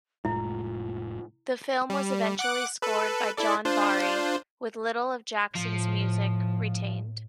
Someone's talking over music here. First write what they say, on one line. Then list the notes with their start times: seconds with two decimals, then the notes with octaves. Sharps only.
The film was eventually scored by John Barry, with little of Jackson's music retained.
0.25 F1 A2 G#3 E4 F4
1.90 G3
2.39 F#5 D6 F#6
2.82 A4 B4
3.37 E4 A4 D5
3.65 D4 F4 C5
5.55 A2 F3